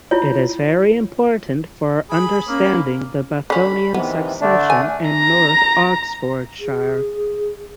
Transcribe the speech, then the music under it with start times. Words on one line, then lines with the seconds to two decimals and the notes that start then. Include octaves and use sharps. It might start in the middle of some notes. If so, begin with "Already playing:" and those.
It is very important for understanding the Bathonian succession in north Oxfordshire.
0.11 E4 F4 C#5
2.10 G#4 B5
2.48 A#3 C#4
3.50 D3 C#4 B5
3.94 C3 D#3 E3 B3
4.41 D3 A3 D4
4.70 G#5
5.09 A#5
6.58 G#4